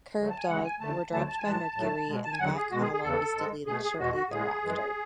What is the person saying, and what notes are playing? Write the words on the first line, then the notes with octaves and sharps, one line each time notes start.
Kerbdog were dropped by Mercury and their back catalog was deleted shortly thereafter.
D2 D3 F#3 A3
A5
G#5
D2 C#3 E3 G#3 F#5
G#5
E2 D3 A3 A5
D2 D3 F#3 A3 A5
A5
G#5
A2 E3 G#3 A5
A2 F#3 A3
B2 G#3
A5
G#5
E2 D3 F#3 F#5
G#4
E2 B2 G#3 F#4
G#4
G#4
E2 C#3 E3 A4
G#2 G#3
B2 A3 G#4
G#4
E2 B2 G#3 F#4
F#4
A2 G#3 G#4
F#2 E3 G#3